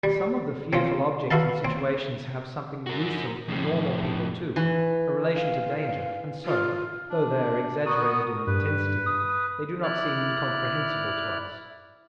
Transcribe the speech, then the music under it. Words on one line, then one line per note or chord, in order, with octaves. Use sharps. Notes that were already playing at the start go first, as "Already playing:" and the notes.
Some of the fearful objects and situations have something gruesome for normal people too, a relation to danger, and so, though they are exaggerated in intensity, they do not seem incomprehensible to us.
G3
C4 C#4 F4
F#4 B4 E5 F5 A5
C4
F#4 A#4
F2 A2
E3
F5
F4
D4
B3 F#4 A#4 D#6
G2 B4
D#6
E4 D5 F6 F#6